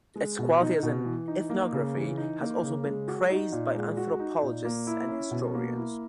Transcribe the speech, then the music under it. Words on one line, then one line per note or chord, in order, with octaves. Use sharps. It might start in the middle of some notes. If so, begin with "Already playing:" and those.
Its quality as an ethnography has also been praised by anthropologists and historians.
G#3
B2
D#4
B2
E3
D#4
A#3
C#3
E3
D#4
A#3
C#3
G#3
F#4
D#4
A#2
G#3
F#4
D#4
A#2
A#3
E4
C#4
B2
A#3
E4